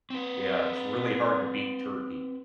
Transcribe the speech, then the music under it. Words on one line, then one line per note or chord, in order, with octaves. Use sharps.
yeah, it's really hard to beat turkey.
C4 B4